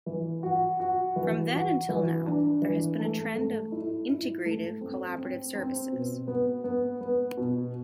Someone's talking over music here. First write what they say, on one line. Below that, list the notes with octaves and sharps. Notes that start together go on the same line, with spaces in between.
From then until now, there has been a trend of integrative collaborative services.
E3
F#4
F#4
E3
F#4
E3
D4
E3
A3
A3
E4
E4
A3
C4
C4
C4
B2
B3
B3
B3
B2